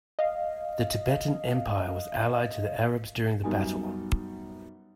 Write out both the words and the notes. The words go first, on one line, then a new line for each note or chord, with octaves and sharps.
The Tibetan Empire was allied to the Arabs during the battle.
D#5 F5
F#2 B2 G3 D#4 G#5